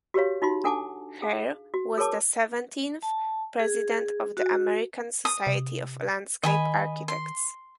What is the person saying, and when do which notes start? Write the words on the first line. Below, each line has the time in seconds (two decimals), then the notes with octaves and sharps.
Hare was the seventeenth president of the American Society of Landscape Architects.
0.14 F#4 G4 B4 C#5 F5
0.42 D#4 F4 F#4 C6
0.64 D4 A4 F#5 G#5 A5 D6
1.22 G#4 F5
1.74 F#4
1.98 G#4 A#4 C#5 A5 D6
3.02 A5
3.60 G#4
4.37 F#4
5.25 D#6
5.47 C3
6.43 D#3 D#5 G#5 B5
7.08 C6